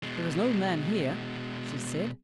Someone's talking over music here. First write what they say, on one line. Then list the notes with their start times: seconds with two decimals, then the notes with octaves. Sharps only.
"There is no man here," she said.
0.03 B2 G#3